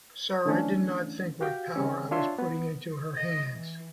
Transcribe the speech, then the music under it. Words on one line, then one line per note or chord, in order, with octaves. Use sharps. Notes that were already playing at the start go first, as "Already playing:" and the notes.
Sir, I did not think what power I was putting into her hands.
D3 E3 A3 C#4 D4
F#4 G4 F5 G5
C#3 G3 C4 C#4
D4 F4 C#5 E5 C6
B3
D#5
E3